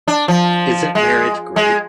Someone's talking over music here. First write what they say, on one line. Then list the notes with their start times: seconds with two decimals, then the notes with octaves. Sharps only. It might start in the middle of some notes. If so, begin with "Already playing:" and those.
Isn't marriage great?
0.08 D4
0.28 F3
0.95 G#3
1.56 G#3